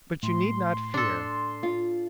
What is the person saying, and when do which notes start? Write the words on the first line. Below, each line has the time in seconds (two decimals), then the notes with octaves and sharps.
But you need not fear.
0.23 A2 C6
0.94 D4 A4
1.63 F4